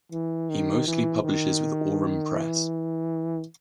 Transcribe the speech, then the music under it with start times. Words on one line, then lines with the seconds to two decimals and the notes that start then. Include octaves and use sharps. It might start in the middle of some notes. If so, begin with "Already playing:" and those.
He mostly publishes with Aurum Press.
0.12 E3
0.50 D#3
0.87 E3
1.24 D#3
2.36 E3